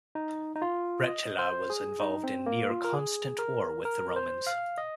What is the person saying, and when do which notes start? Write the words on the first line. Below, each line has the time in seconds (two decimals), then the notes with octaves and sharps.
Rechila was involved in near constant war with the Romans.
0.15 D#4
0.56 D#4
0.62 F4
1.08 D#5
1.39 C5
1.70 G#4
2.00 D#4
2.24 C4
2.46 A#3
2.70 F4
2.84 A#4
2.93 G#4
3.39 A#4
3.85 A#4
4.16 C5
4.47 F5
4.78 D#5